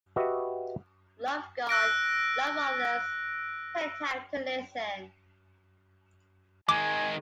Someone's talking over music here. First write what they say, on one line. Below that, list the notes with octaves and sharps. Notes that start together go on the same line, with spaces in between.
Love God, Love Others, Take Time to Listen.
F#4 G4 B4 D#5 E5
E6 F#6 A#6 D7
D#3 G#3 G#5 D6